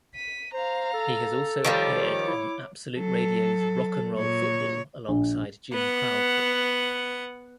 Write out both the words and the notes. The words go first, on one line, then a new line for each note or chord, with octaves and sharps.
He has also appeared on Absolute Radio's Rock'n'Roll Football alongside Jim Proudfoot.
B6 D#7
C5 F5 A#5
A4
D#3 F3 G3 C#5 D6
E4
F#3 A4
A#2 C#5
A#1
B3 F#5